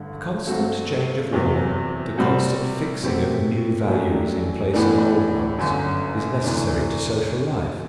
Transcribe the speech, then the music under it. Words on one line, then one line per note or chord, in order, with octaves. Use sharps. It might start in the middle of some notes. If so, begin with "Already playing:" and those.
The constant change of law, the constant fixing of new values in place of old ones, is necessary to social life.
Already playing: A1 G2 D3
G2 F#3 C4 F#4 A4
E2 C3 F#3
C3 G3 C4 F#4
B2 F#3 A3 C4 G4
F#2 F#3 A3 D4 G4
A2 E3 B3 D4 A4
G1 F#2 D3
D2 C3 E3 A3 D4